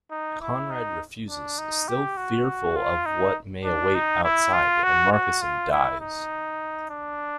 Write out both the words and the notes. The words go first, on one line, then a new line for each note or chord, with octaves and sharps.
Conrad refuses, still fearful of what may await outside, and Marcusson dies.
D#4
E4
D#4
D4
D#4
G4
F#4
F4
D#4
D4
D#4
E4
F4
F#4
F#4
F4
E4
D#4
D4